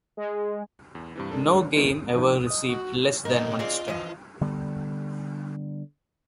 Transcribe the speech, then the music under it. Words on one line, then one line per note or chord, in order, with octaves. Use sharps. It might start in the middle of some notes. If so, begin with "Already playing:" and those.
No game ever received less than one star.
G#3
E2
G2 C3 E3
G#3 D4 A4 A#4
D3
D#3 E3 G3 A#3 B3 E4
F3 D#4
D#5 D#6
F#4
G#2 B2 D#4 A#4 D#5
C4 F4 G#4 D5
E3 F3 D#5
D3 G3 B3